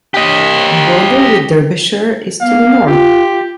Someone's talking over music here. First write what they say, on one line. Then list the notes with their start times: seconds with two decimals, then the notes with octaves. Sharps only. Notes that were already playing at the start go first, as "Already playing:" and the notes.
The border with Derbyshire is to the north.
0.14 G4 D#5
2.41 B3 F5
2.87 F4 G4